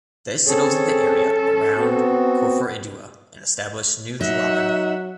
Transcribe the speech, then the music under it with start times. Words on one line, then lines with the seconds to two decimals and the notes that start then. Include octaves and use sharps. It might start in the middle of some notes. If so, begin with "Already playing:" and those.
They settled in the area around Koforidua and established New Juaben.
0.47 C4 C#4 G#4 A4 C#5
1.77 B3 C4 F#4
4.21 F#3 D#4 E5 F#5